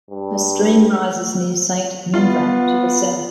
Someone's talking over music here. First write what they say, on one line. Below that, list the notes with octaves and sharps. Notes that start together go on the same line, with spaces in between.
A stream rises near Saint Minver to the south.
G2
B3 F4